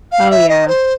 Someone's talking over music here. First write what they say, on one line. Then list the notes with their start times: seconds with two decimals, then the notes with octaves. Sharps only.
Oh, yeah.
0.11 F5
0.30 E5
0.49 D#5
0.67 C5